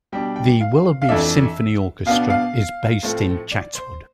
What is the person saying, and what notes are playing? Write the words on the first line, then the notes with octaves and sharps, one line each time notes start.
The Willoughby Symphony Orchestra is based in Chatswood.
B2 G3 D4 G5
G5
F5
F5
F2 E3 A3 D4 E5
B2 B3 D4 F5
F5
A2 F3 A3 C4
D5
C5